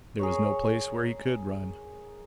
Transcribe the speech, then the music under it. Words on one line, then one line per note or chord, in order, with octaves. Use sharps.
There was no place where he could run.
G#4 A#4 C#5